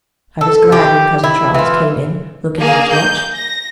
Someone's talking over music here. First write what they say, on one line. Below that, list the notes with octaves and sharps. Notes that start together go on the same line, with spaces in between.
I was glad when Cousin Charles came in, looking at his watch.
A4
G4
E4
E3 F4
A#3 G#4 F5
G6
A#6